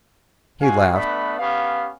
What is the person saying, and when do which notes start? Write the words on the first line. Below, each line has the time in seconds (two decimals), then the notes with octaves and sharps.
He laughed.
0.62 G#3 F#4 F5 G#5
0.93 A3 B3 D4 B4 B5
1.39 B3 C#4 G4 F5